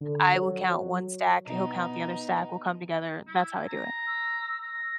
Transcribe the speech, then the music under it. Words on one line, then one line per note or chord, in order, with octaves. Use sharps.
I will count one stack; he'll count the other stack. We'll come together; that's how I do it.
D3
F#3
B2 B3 D#4
E4
A#5
E6
A#6